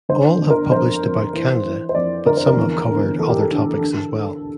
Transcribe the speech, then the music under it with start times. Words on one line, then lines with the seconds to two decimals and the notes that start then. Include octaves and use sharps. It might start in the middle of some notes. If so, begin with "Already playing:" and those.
All have published about Canada, but some have covered other topics as well.
0.09 G1 C5
0.41 G1
0.50 A#4
0.72 F2 C5
1.03 F2
1.33 E3
1.64 E3
1.89 C5
1.95 F2 D5
2.26 G1 A#4
2.37 C5
2.47 A#4
2.57 E2
2.88 D3
3.19 E2 A4
3.29 G4
3.40 A4
3.50 D3
3.81 D3